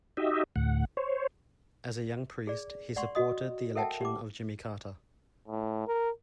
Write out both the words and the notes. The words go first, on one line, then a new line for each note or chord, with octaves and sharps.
As a young priest, he supported the election of Jimmy Carter.
D#4 F#4 G4 D#5 E5
D2 A2 F#5
C5 C#5
G#4 D5
D5 F#5 C6 C#6
F#4 D#5 D#6
A4 A#4 E5 F#5 G5 A5
G4 D6
A2
A#4